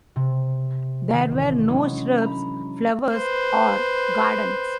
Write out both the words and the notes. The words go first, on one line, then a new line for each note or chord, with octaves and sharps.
There were no shrubs flowers or gardens.
C3
D#3
A1
F#3 G#3 C#4 D4 E4
A#5 B5
B4 C5